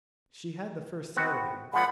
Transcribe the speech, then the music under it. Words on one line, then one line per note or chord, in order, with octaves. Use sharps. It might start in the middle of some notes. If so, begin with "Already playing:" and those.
She had the first sight of him.
B3 C4 F#4
A#2 F3 G#3 F#5 B5